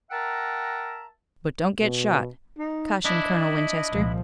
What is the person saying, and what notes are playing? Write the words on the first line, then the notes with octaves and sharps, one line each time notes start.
"But don't get shot," cautioned Colonel Winchester.
A#4 E5 F#5 G5 A5 A#5
B2
D#4
D4 E4 D#5
C2 A#2 F3